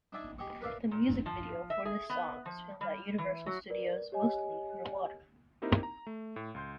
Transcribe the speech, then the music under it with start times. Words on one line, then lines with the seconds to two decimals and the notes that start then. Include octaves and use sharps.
The music video for this song was filmed at Universal Studios mostly underwater.
0.12 D4 D#4 D5 E5 G#5 A5
0.38 G4 G#4 D#5 C#6
0.61 A#4 B4 D5 E5 F5
0.91 A#2
1.26 F3
1.70 E5
1.85 G#4
2.10 B3
2.46 F3
2.81 G3
3.18 E3
3.46 F#3
3.70 A#4 B4 D5
4.12 G4 C#5 D#5 G#5
5.62 A#3 C4 D#4 E4 G4 A#4
5.83 A#5
6.07 A3
6.36 A2
6.55 C#2 C6 G6